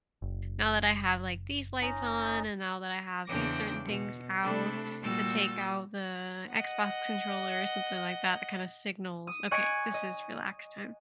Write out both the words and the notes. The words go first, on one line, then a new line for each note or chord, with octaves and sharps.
now that I have, like, these lights on and now that I have these certain things out let's take out the Xbox controller," or something like that, that kind of signals, "Okay, this is relax time."
F#1
C#4 D#4 D#5
E2 C#3 D4 G5 D6 A#6
B2
C3 A3 D4 A4 B5
A#2 G3 F#4 E6 G6 A6
D#5 F#5
D#6
D#5 G#5 C#6 F#6 D7
D#5